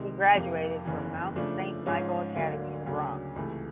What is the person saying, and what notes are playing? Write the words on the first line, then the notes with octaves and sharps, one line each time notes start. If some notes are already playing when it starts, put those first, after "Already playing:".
He graduated from Mount Saint Michael Academy in the Bronx.
Already playing: C2 C3 D#3 G#3
F2 C3 F3 A#3
F#1 E2 C#3 E3
C#3 F3 A3 D4
G#2 F3 G#3 C#4 F4
D2 D3 F#3 A#3
D2 C#3 F#3 A#3 D4
C#2 C3 E3 A3